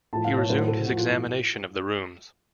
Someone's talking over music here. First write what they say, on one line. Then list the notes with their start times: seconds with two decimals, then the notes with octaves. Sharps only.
He resumed his examination of the rooms.
0.13 A2 F3 A5
0.25 F5
0.38 C#5
0.49 A2 F#3 C5
0.67 A4
0.85 A2 F3 F#4
0.97 F4
1.10 F4